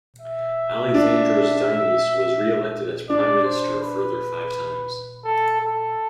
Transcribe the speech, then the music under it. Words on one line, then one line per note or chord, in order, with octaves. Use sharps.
Alexandros Zaimis was re-elected as Prime Minister a further five times.
E5
D4
D4 D5
C5
B4
A4
A4